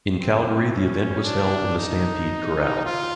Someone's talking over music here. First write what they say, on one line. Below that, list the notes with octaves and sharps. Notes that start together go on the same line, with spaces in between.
In Calgary the event was held in the Stampede Corral.
C4
C#4
D4
D#4
F4